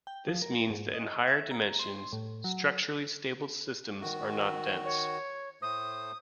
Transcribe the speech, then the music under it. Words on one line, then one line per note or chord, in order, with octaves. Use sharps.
This means that in higher dimensions, structurally stable systems are not dense.
G5
F3
A#4
G#2
D#5
E5
A#5
C6
A2
F#3
D#3 F#4
C#5
A2 A3 C5 D#6